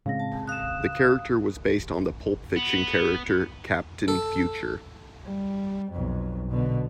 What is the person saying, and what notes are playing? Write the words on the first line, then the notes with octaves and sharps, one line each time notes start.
The character was based on the pulp fiction character Captain Future.
A2 C#3 G#3 C4 F5 A#6
A5
F5 D#6 F#6 E7
B3
A4
G3
B1 F2
B2 D3